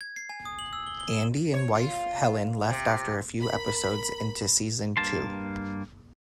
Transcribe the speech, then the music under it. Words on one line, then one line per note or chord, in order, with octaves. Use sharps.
Andy and wife Helen left after a few episodes into season two.
G#6
C7
G#5
D#6
F#7
E6
G7
G7
E7
C#5
F4
C3
A#4 B5
G2 A#3 A5 C6